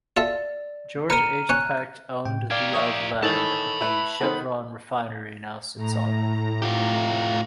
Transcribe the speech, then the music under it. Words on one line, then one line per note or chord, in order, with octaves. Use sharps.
George H. Peck owned the of land the Chevron Refinery now sits on.
F4 A4 D5 E5
A#4 B4 A#5 F6 C#7 D#7
C#4 C#5 F#6
A2 G5
G4 A#4 D5 F5 G#6
E5 C#6 D#6
D#3 E3 A4 C#5 A5 B5 A6
E4 B4
D#3 B3 A4 C5
A2 A#5
F4 G4